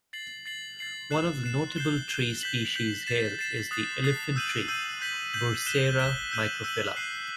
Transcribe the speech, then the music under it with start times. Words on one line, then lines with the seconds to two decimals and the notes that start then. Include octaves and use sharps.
One of the notable tree species here is the elephant tree, "Bursera microphylla".
0.13 A6 C7 F#7
0.46 A6 C7 F#7
0.79 A6 C7 F#7
1.11 F#6 C7 E7
1.43 F#6 C7 E7
1.76 G6 C7 E7 G7
2.09 G6 C7 E7 G7
2.41 G6 B6 F#7
2.74 G6 B6 F#7
3.07 A6 C7 E7
3.39 A6 C7 E7
3.71 D#6 F#6 A6 C7
4.04 D#6 F#6 A6 C7
4.36 E6 G6 D#7 F#7
4.68 E6 G6 D#7 F#7
5.01 G6 B6 F#7
5.33 G6 B6 F#7
5.66 F#6 B6 E7 G7
5.99 F#6 B6 E7 G7
6.31 E6 G6 D#7 F#7
6.64 E6 G6 D#7 F#7
6.96 F#6 C7 D#7